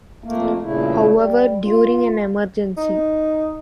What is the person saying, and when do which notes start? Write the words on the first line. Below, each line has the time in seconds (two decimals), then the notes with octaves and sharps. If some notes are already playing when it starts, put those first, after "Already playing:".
However, during an Emergency!
0.24 F2 A3 A#3
0.62 G2 A#2 C#3 A3 E4
1.13 G3
1.62 F4
2.77 D#4